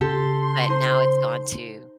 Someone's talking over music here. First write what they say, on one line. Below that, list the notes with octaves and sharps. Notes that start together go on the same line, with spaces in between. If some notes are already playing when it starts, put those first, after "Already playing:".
but now it's gone to
C#3 G4 A4 C6
D#4 C5